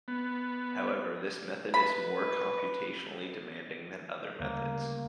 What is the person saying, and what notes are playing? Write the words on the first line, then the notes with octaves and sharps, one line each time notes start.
However, this method is more computationally demanding than other methods.
B3
B4 B5
D2 C#3 G3 A#3